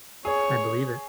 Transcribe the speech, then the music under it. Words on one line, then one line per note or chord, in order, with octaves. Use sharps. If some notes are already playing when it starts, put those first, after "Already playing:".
I believe it.
G#4 C#5